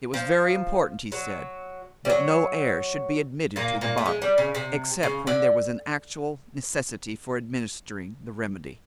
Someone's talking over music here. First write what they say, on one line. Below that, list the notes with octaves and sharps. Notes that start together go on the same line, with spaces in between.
It was very important, he said, that no air should be admitted to the bottle, except when there was an actual necessity for administering the remedy.
F3
F#3
G3
F#3
A#2 A#3
A#2 A#3
A3
G#3
G3
C#3
C3
C#3
D3